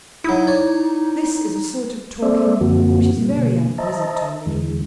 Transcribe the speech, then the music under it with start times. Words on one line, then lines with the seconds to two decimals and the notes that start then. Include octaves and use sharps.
This is a sort of talking which is very unpleasant to me.
0.24 F#3 D#4 E4 D#6
0.47 C#5 D5
2.22 A#3 C4 A4 C5 D5 E5
2.61 F#2 D3 F3 A#3 C4 F#4
3.18 A#2 F3 G3 A#3
3.37 B2 D3 A#3
3.78 C5 D#5 E5 A5 A#5
4.46 E2 D3 E3 G#3